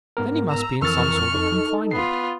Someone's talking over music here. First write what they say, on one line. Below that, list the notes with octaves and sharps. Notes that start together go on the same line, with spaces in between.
Then he must be in some sort of confinement.
G#2 B3 A#4
A#5 E6
F2 E3 A#4 C#6 E6 F6 A6
D#4 A4
B3 F4 C7